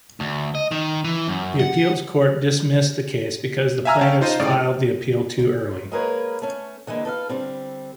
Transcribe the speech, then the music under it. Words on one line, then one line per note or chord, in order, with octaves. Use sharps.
The appeals court dismissed the case because the plaintiffs filed the appeal too early.
D2
D#5
D#3
E3
F#2
F#5
E5 F5 G#5 A#5 E6 F6
C#4 F5 G5 A5
D#4 F4 C5 D#5 D#7
A2 C#3 D5
G#3 A#3 G#4 A#4 B4 C#5
A3 C#4
D3 E3 G#3 A#3
A4 B4 D#5 F5
D3 G3 C4